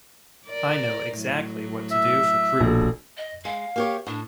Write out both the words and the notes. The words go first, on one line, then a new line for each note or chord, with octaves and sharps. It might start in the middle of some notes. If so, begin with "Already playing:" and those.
I know exactly what to do for croup.
A#4 D5
A2 F#3
E5
A#1 B2 G#4 A4
D#5
G#3 F5
A#3 G4 C#5
A2 D4